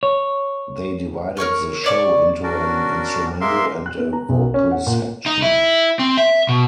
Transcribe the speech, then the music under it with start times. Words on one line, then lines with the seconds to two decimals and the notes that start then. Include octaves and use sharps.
They divided the show into an instrumental and a vocal section.
0.03 C#5
1.37 A#4 C#5 C#6 F6
1.84 C#5 D5 C#6
2.43 C#4 D4 F#4 A#4 D5
3.41 G#3 A#3 A#4 E5 F5 C6
3.86 F#6
3.97 B3
4.13 A#5
4.29 B1
4.41 A#4
4.54 C#4
4.71 F#5
4.87 A#2
5.26 D#4
5.42 E4
5.99 C4
6.17 E5
6.49 B2